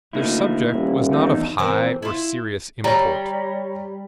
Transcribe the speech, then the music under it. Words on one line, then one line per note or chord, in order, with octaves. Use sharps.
Their subject was not of high or serious import.
D2 A#3 D#4 E4
D#1
E2 A3 D#4
E3 C4 A#4
E4 F4
G3 C#5 A#5